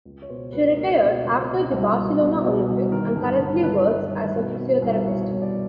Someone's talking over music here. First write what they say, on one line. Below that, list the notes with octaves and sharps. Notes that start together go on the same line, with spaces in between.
She retired after the Barcelona Olympics and currently works as a physiotherapist.
C#2
C#5
B2 C5
C#2 B4
C#2 A#4
B2 B4
C#2 C#5
B2 D#5
C2
B2
B2
B2
C2
D#3 A#4
G2
G2
G2 B4
G2
D#3
B2
B2
C2
C5
B2 C#5
C2 C#5
D5